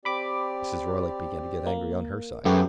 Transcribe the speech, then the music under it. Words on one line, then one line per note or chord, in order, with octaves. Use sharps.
Mrs. Roylake began to get angry, on her side.
C4 G4 D5 B5 D6
A#3
F#2 A3 B3 G4 G#4 B4